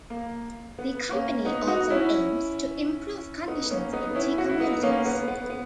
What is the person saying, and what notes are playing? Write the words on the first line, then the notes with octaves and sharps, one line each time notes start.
The company also aims to improve conditions in tea communities.
A#3
B3
A#3 C#4
B3 D#4
D#4 F#4
C#4 E4
B3 D#4
A#3 C#4
B3 D#4
C#4 E4
F#4
E4
B3 D#4
A#3 C#4
B3
B3
B3